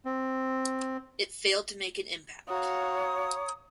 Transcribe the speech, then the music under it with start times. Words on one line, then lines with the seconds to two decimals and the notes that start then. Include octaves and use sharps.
It failed to make an impact.
0.05 C4
2.48 F#4 C#5 F5 A#5 D#6